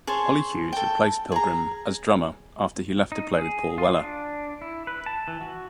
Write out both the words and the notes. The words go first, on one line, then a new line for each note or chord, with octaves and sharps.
Oli Hughes replaced Pilgrim as drummer after he left to play with Paul Weller.
G#4 C5 C#5 A5
A4 G5
G#4 A#5
D#4
G#4
F4
D4
E4
B4
A5
E3
F#4